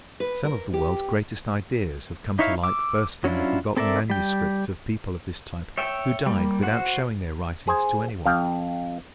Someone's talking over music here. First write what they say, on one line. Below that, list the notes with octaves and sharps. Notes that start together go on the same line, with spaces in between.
Some of the world's greatest ideas have come to light first in the forgotten manuscripts of people of this type who died without showing their writings to any one.
B4
A#4
G4
D#4 E4 C#5 E5 F5
D6 E6
F#3 C#4 D4 E4 F4
C4 A4 A#4 D5 E5
G3 G5
C#5 E5 G5
G3 A#3
F#4 C5 F#5
G#4 C5 G#5
F2 F5 G5